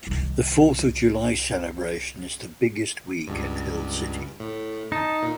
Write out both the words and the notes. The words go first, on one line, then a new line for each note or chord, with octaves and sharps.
The Fourth of July celebration is the biggest week in Hill City.
C2 D#3
C#2 G2
A2
D#4 A5
A#2